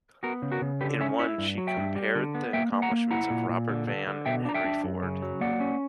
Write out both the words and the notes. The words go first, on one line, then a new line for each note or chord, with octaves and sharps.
In one, she compared the accomplishments of Robert Vann and Henry Ford.
B3 F#4 A#4
C#3
F#4 A#4
C#3
D3 G4 B4
C#4 C#5 E5
E4 C#5 E5
G2
F#3
E5 G5
G2
G3
D3
B3
A#3 E5 G5
A#3
F#5 A#5
A#3
E4 F#5 A#5
A#2
A#2
D3
D3
D3
B2 E5 G5
D4 A#5
E5 G5
D4
F#2
C#3
F#3
A#3 D5 F#5
C#4